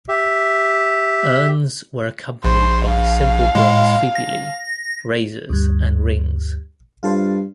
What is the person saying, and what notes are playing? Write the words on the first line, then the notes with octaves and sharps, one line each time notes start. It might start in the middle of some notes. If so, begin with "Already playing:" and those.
Urns were accompanied by simple bronze fibulae, razors and rings.
G4 E5
A#1 C5
F5
A2 G#3
A#6
D2 G2
G2 F4 A4 C5